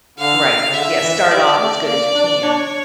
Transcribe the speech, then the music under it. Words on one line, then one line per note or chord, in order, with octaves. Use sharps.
Right. Yeah, start off as good as you can.
D3 F5
C#3
D3 E5
E3
G3 D5
A3
A#3 D5
D4
D4 C#5